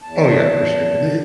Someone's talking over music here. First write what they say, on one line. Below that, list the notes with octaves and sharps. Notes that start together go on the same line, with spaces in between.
Oh, yeah, for sure. The
E2 A5